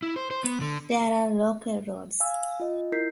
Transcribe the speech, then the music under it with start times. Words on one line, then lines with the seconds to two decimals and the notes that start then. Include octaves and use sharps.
There are local roads.
0.02 E4
0.16 C5
0.31 C5
0.44 B3
0.61 D3
2.20 F5 G#5 E6
2.60 F4 D#5
2.92 E4 A#4 G6 B6 C7